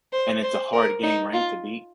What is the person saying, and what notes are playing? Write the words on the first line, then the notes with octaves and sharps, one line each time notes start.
And it's a hard game, right, to beat?
C5
C5
A#4
D#4
F4